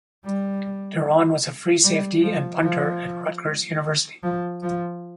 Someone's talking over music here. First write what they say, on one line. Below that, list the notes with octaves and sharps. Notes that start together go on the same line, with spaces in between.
Deron was a free safety and punter at Rutgers University.
G3
G3
F3
F3
F3
F3